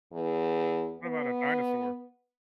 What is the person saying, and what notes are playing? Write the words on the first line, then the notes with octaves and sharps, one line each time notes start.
What about a dinosaur?
E2
B3